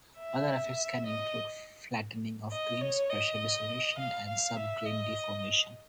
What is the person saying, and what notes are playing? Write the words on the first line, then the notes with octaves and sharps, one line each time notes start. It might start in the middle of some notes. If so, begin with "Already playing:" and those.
Other effects can include flattening of grains, pressure dissolution and sub-grain deformation.
E5
D#5
D#5
C#5
D#5
F5
F5
E5
D#5